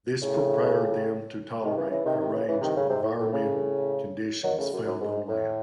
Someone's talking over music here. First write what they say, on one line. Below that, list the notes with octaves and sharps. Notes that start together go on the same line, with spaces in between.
This prepared them to tolerate a range of environmental conditions found on land.
A2 C#3
C3 D#3
C#3 E3
C#3 E3
C3 D#3
C3 D#3
C#3 E3
C#3 E3
C3 D#3
A2 C#3
G#2 C3
A2
A2
A2 C#3
D#3 F#3
A2 C#3
F#2
F#2
G#2
A2